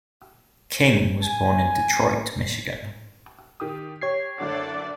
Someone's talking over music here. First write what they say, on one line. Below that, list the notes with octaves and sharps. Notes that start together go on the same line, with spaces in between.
King was born in Detroit, Michigan.
G#5
D#3 G4 D#6
G4 C#5 G#6 C7
F#1 D3 D4 F#4 A4 D5